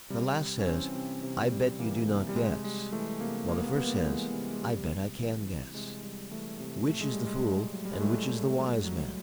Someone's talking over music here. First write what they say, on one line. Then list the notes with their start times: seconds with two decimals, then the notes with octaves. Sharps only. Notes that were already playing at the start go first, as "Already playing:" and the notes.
The last says, 'I bet you do not guess,' while the first says, 'I bet I can guess.' Which is the fool, and which is the wise man?
0.10 C3 G3
0.38 G3
0.59 C#4
0.67 E3 C4
0.95 C3
1.23 C3
1.51 G3
1.79 E3 A#3
2.08 C3
2.29 G3
2.36 C3 G#3
2.64 G3 G#3
2.92 E3 A3
3.20 C3 A#3
3.49 C3 A#3
3.58 B3
3.67 A#3
3.76 G3 B3
3.85 A#3
4.05 E3 G#3
4.34 C3
4.53 G#3
4.61 C3 G3
4.90 G3
5.18 E3
5.47 C3
5.75 C3 G#3
6.03 G3
6.31 E3 A3
6.60 C3
6.88 A2 A3
7.01 G#3
7.13 A2 G3
7.26 G#3
7.44 F#3
7.73 F#3
7.85 G3
7.93 G#3
8.01 A2 A3
8.29 A2
8.57 F#3
8.85 F#3